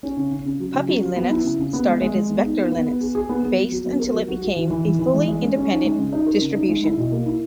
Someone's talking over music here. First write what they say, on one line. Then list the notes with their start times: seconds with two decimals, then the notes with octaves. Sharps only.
Puppy Linux started as Vector Linux based until it became a fully independent distribution.
0.03 C#4
0.17 C#3
0.31 C#3
0.45 C#3
0.60 F#3
0.74 C#3
0.88 F#3
1.02 F#3
1.16 B3
1.30 E4
1.44 C#3
1.59 C#3
1.73 B3
1.87 G#3
2.01 G#3
2.15 G#3
2.30 B3
2.44 D#4
2.58 B3
2.72 B3
2.86 B3
3.01 G#4
3.15 G#4
3.29 B3
3.43 B3
3.57 F#3
3.72 F#3
3.86 B3
4.00 A#4
4.14 F#3
4.28 F#4
4.42 F#4
4.56 E3
4.70 E3
4.85 E3
4.99 E3
5.14 G#3
5.28 G#3
5.41 C#4
5.56 C#4
5.70 D#4
5.84 G#3
5.99 C#3
6.13 D#4
6.26 A#4
6.41 C#3
6.55 D#4
6.69 G#3
6.84 E4
6.97 B2
7.12 A#3
7.26 E4